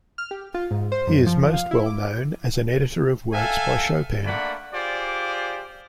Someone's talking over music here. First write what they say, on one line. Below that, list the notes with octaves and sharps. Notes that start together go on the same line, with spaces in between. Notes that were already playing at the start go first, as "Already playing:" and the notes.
He is most well known as an editor of works by Chopin.
F6
G4
F4
G#2
C5
F#2
F3
F5
E4
D6
A4 E5 F5 G5 G#5
A3 A#3 D4 D5 F#5 B5
F4 G4 G#4 C5 D5